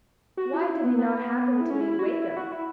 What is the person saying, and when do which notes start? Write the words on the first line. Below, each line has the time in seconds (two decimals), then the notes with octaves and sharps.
Why did he not happen to meet Wakem?
0.37 F#4
0.53 E4
0.61 F#4
0.68 E4
0.84 B3
0.98 B3
1.60 E4
1.70 C#4
1.81 E4
1.91 E4
1.99 F#4
2.06 E4
2.22 E4
2.37 F#4
2.52 E4